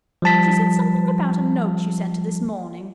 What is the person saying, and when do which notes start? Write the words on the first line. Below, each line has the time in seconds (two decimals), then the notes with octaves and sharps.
She said something about a note you sent her this morning.
0.22 F3 G3 A5 B6